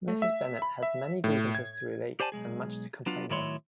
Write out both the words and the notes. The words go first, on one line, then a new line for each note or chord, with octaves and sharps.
Mrs. Bennet had many grievances to relate, and much to complain of.
A3
E5
B5
E5
A2
G#6
G4 C5 D5 G#5 A5
B1 C3 G#3 G#4
F#3 B3 D4 F4
A2 D#3 F#3 E4 C#5 C6